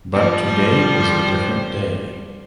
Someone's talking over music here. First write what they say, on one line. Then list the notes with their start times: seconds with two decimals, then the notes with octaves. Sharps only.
But today is a different day.
0.13 F3 G3 C5